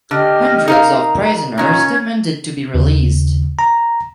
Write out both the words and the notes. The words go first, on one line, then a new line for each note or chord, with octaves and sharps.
Hundreds of prisoners demanded to be released.
D3 G4 D#5 F6
D#4 A#4 F5 A#5
A#2 D#3 C#4 C#5 G#6
D#2 C#3
A#5